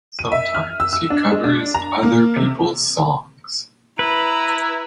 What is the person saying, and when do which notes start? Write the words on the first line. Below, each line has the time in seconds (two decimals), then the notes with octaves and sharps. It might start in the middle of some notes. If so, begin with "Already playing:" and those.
Sometimes he covers other people's songs.
0.19 D#7
0.32 E5
0.55 F6
0.80 E6
0.93 E6
1.10 D4
1.31 G#3
1.44 D4
1.74 A#5
2.03 A#3
2.36 C3
3.99 E4 B4 A#5